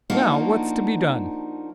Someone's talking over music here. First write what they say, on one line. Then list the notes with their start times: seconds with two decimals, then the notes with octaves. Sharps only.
"Now, what's to be done?"
0.10 F3 A#3 D4 D#4 F#4